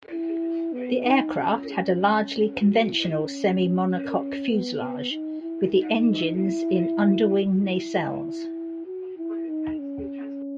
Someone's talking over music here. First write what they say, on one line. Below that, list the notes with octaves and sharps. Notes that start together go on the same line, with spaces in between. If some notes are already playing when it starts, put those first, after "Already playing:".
The aircraft had a largely conventional semi-monocoque fuselage, with the engines in underwing nacelles.
E4
B3
D#4
C#4
F#4
E4
C#4
B3
B3
D#4
E4
D#4
E4
E4
F#4
E4
D#4
C#4